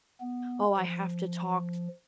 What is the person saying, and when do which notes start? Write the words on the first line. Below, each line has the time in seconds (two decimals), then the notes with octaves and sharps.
"Oh, I have to talk
0.21 B3
0.77 F3